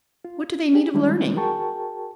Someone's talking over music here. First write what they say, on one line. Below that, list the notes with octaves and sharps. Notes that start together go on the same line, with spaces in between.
What do they need of learning?
F4
C#4 G4 G#4
D#3 G3 G#3 C#4 D#4 E4
F#4 G#4 A#4 G5 A5 C#6